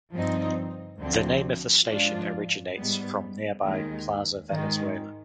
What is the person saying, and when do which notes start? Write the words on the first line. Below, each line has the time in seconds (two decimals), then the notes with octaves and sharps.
The name of the station originates from nearby Plaza Venezuela.
0.12 G2 F3 C4 D#4
0.99 D2 D3 F3 C4
1.87 G#2 F3 G#3 D4 F4
2.76 G#2 G3 B3
3.63 D#2 D#3 G#3
4.51 G#2 D#3 G#3